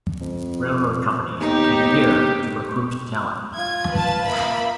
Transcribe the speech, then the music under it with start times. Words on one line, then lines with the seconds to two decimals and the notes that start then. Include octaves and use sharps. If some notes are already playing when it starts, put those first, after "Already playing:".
Record companies came here to recruit talent.
0.21 F2
1.40 D#2 B3 D#4 G4
3.56 F4 G#6
3.91 B4 A5
4.25 A#3 E5 B5